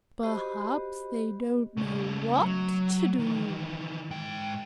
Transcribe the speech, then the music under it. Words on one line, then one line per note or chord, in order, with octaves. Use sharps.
"Perhaps they don't know what to do."
F#4 G4 C5 D#5 B5
C#3 A3
F#3
D#3 E3
G#2 G5